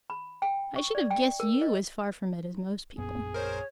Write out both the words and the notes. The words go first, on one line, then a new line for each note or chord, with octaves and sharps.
I should have guessed you as far from it as most people.
B5
G5
C#6
D5
G5
A#4
D#5
A#1 F#2 B3 G#4
A#4 C5 C#5